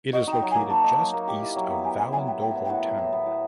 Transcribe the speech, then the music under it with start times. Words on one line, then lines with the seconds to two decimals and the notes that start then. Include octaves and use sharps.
It is located just east of Valandovo town.
0.13 F#4 D#5
0.27 D#4 G5
0.42 F#3
0.51 G#5
0.56 A#3
0.70 F#4 A5
0.84 D#4
0.98 F#3
1.13 A#3
1.28 G4
1.42 E4
1.56 F#3
1.70 B3
1.84 G4 G#5
1.98 E4 G#5
2.12 F#3 G#5
2.27 B3 G5
2.41 A2 G5
2.55 B3
2.65 G5
2.69 A2 F#5
2.84 F#3
2.98 A2
3.13 B3
3.26 A2